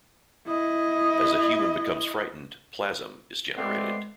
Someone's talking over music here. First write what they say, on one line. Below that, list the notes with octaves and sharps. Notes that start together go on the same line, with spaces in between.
As a human becomes frightened, Plasm is generated.
E4 D#5
G#3 A3 B3 C4 D5 C7